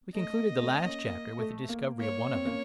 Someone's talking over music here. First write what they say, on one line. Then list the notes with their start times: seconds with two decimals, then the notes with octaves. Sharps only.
We concluded the last chapter with the discovery of one of them.
0.15 A3 D#5
0.38 A#3
0.61 A3 C4
0.84 A#3 C#4
1.08 A#3
1.39 A3
1.69 A#3
1.99 A#3 C#5
2.33 C4
2.46 A#3 C#4